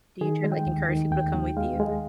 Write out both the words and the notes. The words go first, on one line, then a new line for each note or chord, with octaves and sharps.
do you try to, like, encourage people to come with you?
D#3 G#4
G#3
G5
D#2
D#3
D#2 G5
D#2
G#3 F5
G#3